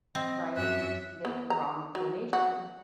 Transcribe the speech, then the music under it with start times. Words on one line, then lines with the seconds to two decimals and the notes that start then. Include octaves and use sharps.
right, if you feed it the wrong information.
0.15 C4 D#5
0.56 F#2 E5 F#6
1.25 B3
1.50 A#5
1.95 F#3
2.33 F#4